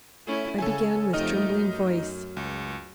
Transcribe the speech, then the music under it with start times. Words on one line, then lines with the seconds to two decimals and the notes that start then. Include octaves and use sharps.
I began with trembling voice.
0.26 A3 C#4 E4
0.58 C#3 C#4 A4 G#5
1.13 F2 A3 D#4 G4 D#5 F6
1.49 F#2
2.37 C#2